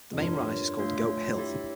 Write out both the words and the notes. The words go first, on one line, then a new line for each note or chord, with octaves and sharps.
The main rise is called Goat Hill.
F2
G2 F4 A#4 C#5
A3 D4 F4 C#5 F5
E4 G4 C#5 E5